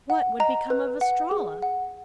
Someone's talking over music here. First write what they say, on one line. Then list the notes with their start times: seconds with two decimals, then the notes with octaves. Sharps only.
What would become of Estralla?
0.10 F#5
0.40 D#5 A#5
0.70 B4
1.01 F#5
1.31 G#4
1.63 F#5